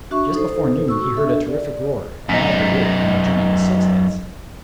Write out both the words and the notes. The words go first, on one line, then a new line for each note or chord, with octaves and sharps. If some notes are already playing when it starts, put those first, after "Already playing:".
Just before noon he heard a terrific roar; and out of the wood came a giant with six heads.
D4 F#4 E5 C#6
D#4 A4 C5
F#4 C#6 E6
D4 A4 E5
D5
F#2 D#4